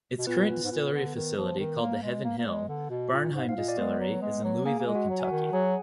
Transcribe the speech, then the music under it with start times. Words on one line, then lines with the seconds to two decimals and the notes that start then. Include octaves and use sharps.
Its current distillery facility, called the Heaven Hill Bernheim distillery, is in Louisville, Kentucky.
0.18 B2
0.27 A#2 B3 B4
0.49 A#2
0.63 G#2
0.71 A#2
0.93 D3
1.15 D#3
1.37 F3
1.59 D#3
1.81 A#3
2.03 G#3
2.24 A#3
2.38 A#3
2.46 G#3
2.68 D3
2.90 B2
3.12 A#2
3.34 G#2
3.48 G#2 F5
3.56 A#2 D#5
3.68 D5
3.77 G#3 B3 B4
4.00 F#3
4.22 G#3
4.44 F#3
4.65 A#3 G#4 G#5
4.79 A#3
4.87 G#3
4.95 F#4 F#5
5.09 F#3
5.19 G#5
5.24 F#4 F#5
5.31 D#3
5.49 F#5
5.53 F#3 G#4 G#5